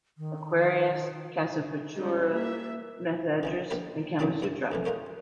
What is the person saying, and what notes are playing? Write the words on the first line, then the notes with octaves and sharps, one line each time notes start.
Aquarius, Casa Futura, Methedras and Kama Sutra.
D#3
G3 G#3 C#4 D#4 G4
A#3 E5
C#3 E3 D#4
A#1 G4 A#4 B4
C#2 F#2 F#3 C4 A5 B5
G2 E4 D#6
F2 A2 E3
D#4 F4 A#4 C#5